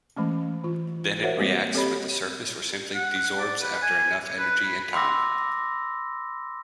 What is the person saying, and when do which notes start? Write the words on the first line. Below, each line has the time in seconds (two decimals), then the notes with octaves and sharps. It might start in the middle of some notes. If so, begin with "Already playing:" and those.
Then it reacts with the surface or simply desorbs after enough energy and time.
0.16 E3 G#3 A3 C#4
0.63 E3 F4
1.22 F#4 A#4 C5 C#5 E5 F#5
1.37 G3 G#3 A#3 C4 F#4 B4
1.74 C4 G4 A4 C#5 D#5 B5
2.95 F#5
3.38 D5
3.62 B4
3.82 G#5
4.39 B4
4.66 B5
4.93 B5 C6 D6 E6 A#6